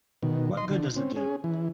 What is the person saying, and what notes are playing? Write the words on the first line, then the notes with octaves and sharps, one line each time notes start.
What good does it do?
B2 D#3
D#5 C6
D3
C4 C#4
C#4 G#4
E3